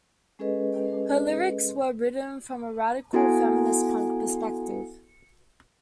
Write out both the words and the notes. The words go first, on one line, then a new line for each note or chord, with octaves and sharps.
Her lyrics were written from a radical feminist punk perspective.
G#3 C#4 G#4 A4 B4 D#5
B3 E4 F#4 A4 F#5 G#5